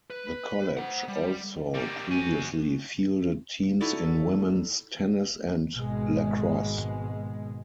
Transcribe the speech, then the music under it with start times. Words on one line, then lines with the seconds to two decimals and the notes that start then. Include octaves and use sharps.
The college also previously fielded teams in women's tennis and lacrosse.
0.10 B4
0.77 C5 F#5
1.08 G3
1.75 G3 A#3
2.11 F#4 G#5
3.80 D#4 E4 F#4 A4 D5
5.73 G#1 B2 G#3